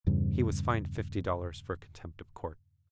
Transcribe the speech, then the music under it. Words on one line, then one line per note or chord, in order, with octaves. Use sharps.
He was fined fifty dollars for contempt of court.
E2 G2 C#3